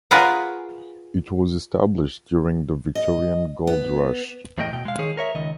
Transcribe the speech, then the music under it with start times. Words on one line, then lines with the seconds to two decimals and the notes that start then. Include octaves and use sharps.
It was established during the Victorian Gold Rush.
0.11 F4 G#4 A#4 B4 C#5 F#5
2.95 D#5
3.67 B3
4.58 E2 A2 A3 D#5 G5
4.73 B2 G5
4.85 G#3 F5
4.99 D#3 G#4 C#5
5.17 A#4 C#5 E5
5.35 C#2 D#3 D#5